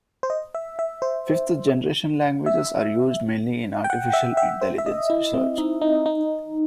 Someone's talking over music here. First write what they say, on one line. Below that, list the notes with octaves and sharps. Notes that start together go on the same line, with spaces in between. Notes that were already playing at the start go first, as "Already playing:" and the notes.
Fifth-generation languages are used mainly in artificial intelligence research.
C5
D#5
E5
E5
C5
E5
G5
F#5
E5
E5
C5
E5
D#5
E4
C4
D#4
D#4
D#4